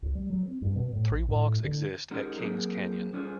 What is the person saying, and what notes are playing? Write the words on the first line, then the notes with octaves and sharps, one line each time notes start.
Three walks exist at Kings Canyon.
C#2
G3
F#3
C4
G2
B2
A2
A#1
A2
D3
G#3 C#4 D#4 F#4 G4 A#4
F#3 A#3 C4 G#4 A#4
G3 C#4 F4 G#4 C5 G#5